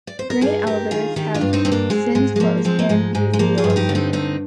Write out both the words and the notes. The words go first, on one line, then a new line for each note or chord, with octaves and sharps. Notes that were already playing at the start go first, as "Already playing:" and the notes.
The grain elevators have since closed and been relocated.
D5
C5
A#4
G2 F4 G#4
G2 G4 A#4
D#3 F4 G#4
D#3 D#4 G4
D4 F4
G2
C4 D#4
G2 C4
A#3 D4
G#2 G#3 C4
G#2 G#3
G#3
F3 A#3
F3 G#3 C4
A#3
G#2 G#3
G#2 G#3
G#3
F3 A#3
F4 G#4
G2
F4
D#4 G4
D3
C4 D#4
G2 C4 D#4